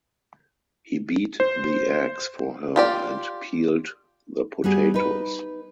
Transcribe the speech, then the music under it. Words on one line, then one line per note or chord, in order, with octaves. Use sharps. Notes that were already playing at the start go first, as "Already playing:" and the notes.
He beat the eggs for her and peeled the potatoes.
C5
F4 G4 D5
G3 B3 F#4 G#4
D#4 B4